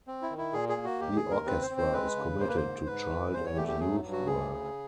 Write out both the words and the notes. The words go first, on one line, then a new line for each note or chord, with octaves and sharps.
The orchestra is committed to child and youth work.
C4
E4
D#3
E4
A#2 G#4
G#4
A#3
F#4
D#2 G4
G#4
D#2
A#4
C4 B4
C5
C4
C5
G#3 B4
C#3
A#3 C5
B4
C5
G#2
G#2 B4
E3
E2 C5
C#5
A3 G4
G4
F#3 G#4
G2
F#4
D2 G#4
C#3